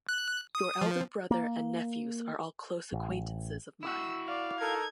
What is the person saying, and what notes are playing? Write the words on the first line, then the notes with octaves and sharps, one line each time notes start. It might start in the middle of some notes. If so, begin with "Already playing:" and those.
Your elder brother and nephews are all close acquaintances of mine.
F#6
D#6
F3
A#3
A1
E4 F#4 E6
D5 F5
D#4 A4 A#4 G#6